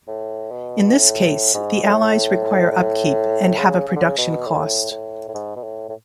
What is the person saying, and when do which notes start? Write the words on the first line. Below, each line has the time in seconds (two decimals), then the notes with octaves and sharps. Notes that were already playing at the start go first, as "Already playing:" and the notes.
In this case, the allies require upkeep and have a production cost.
0.08 A2
0.51 B2
0.96 A2
1.25 A2
1.54 G#2
1.83 A2
2.71 A2
3.59 C#3
3.88 C#3
3.96 D3
4.04 C#3
4.18 B2
4.47 A2
4.91 A2
5.28 A2
5.34 G#2
5.56 B2
5.64 A2
5.89 A2